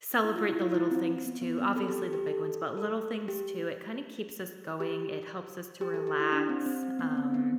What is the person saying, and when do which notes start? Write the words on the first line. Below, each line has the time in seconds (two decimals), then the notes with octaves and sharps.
celebrate the little things, too, obviously, the big ones, but little things, too, it kinda keeps us going, it helps us to relax, um,
0.24 E4
0.36 F4
0.48 E4
0.62 F4
0.74 E4
0.91 C4
1.25 B3
1.42 B3
1.59 C4
1.76 A4
1.88 G4
2.01 G4
2.13 G4
2.27 A4
2.77 A4
3.28 G4
4.80 G4
5.81 G4
5.94 A4
6.07 G4
6.20 E4
6.32 D4
6.49 C4
6.66 C4
6.83 C4
6.99 B3
7.17 C4
7.34 B3